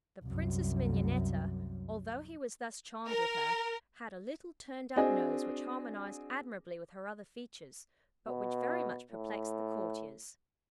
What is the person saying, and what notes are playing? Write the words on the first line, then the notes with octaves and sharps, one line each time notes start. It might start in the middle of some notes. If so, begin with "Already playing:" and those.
The Princess Mignonetta, although he was thus charmed with her, had a little turned-up nose which harmonized admirably with her other features, but which very much perplexed the courtiers.
C2 F#2
A#4
C4 D4 F#4 G#4 D#5 G#5
B2
A2